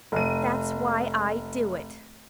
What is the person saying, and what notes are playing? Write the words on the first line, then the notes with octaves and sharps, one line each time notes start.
"That's why I do it."
F1 D#7